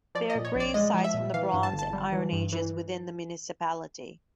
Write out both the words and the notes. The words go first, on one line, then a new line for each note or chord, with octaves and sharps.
There are grave sites from the Bronze and Iron Ages within the municipality.
F3 D5
D#5
A#2
C#5
A#1
D5
G#3 D#5
F3
E5
A#2
E3 F5
G2
A5
G1
A5
G3
E3
G2
E3